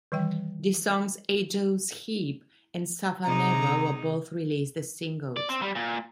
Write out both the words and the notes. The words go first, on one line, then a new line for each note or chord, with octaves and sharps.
The songs "Angel's Heap" and "Suffer Never" were both released as singles.
D#3 E3 G3 G5
C3 G#3 D#4 A#5
D5
C4
G3
A#2